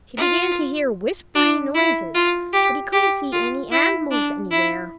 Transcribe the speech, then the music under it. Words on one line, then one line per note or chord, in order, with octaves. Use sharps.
He began to hear whispery noises, but he couldn't see any animals anywhere.
F4
D4
E4
F4
G4
G4
F4
E4
D4
E4